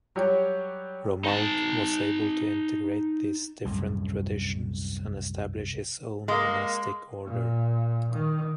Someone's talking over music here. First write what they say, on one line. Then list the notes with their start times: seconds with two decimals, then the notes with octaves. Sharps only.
Romuald was able to integrate these different traditions and establish his own monastic order.
0.16 F#3 G3 G4 C#5
1.25 D#4 A5
3.65 C2 F#2 A2
6.28 G#3 A#3
7.26 A#2
8.13 D#3